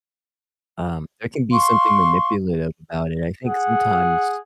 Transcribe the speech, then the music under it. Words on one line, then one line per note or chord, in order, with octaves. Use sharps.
um, there can be something manipulative about it, I think sometimes
F5 C6 C#6
G#4 F#5